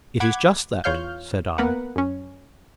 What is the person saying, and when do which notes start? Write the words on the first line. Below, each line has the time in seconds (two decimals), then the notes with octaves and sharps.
"It is just that," said I.
0.20 F#5 B5 D6 G#6
0.84 E2 F4 C#5 F5 F6 G6
1.58 A#3 B3 A#4 B4 F#5
1.96 F#2 C#4